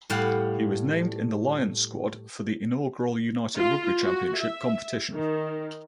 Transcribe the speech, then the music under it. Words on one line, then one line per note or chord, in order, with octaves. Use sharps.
He was named in the Lions squad for the inaugural United Rugby Championship competition.
A2 G3 F5 F#5
F4
F#4
E5
D#3